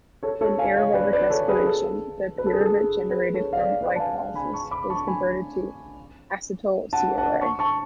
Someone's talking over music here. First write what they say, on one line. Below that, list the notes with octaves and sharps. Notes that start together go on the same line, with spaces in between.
In aerobic respiration, the pyruvate generated from glycolysis is converted to acetyl-CoA.
A4 C#5
A4 C#5
F5 G#5
C#5 F5
B4 D5
B4 D5
A4 C#5
G#4 B4
A4
B4
A4
G#4
A4
G#4 B4
A4 C#5
F5
B4 D5
B4 D5
A5
F5 G#5
G#5 B5
A5 C#6
B5 D6
A5 C#6
G#5 B5
F#5 A5
F#5 A5
A5 C#6
A5 C#6